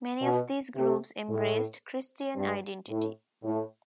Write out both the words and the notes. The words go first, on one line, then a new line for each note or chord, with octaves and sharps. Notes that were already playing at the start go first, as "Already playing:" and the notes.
Many of these groups embraced Christian Identity.
B2
C3
A2
G2
A2
A2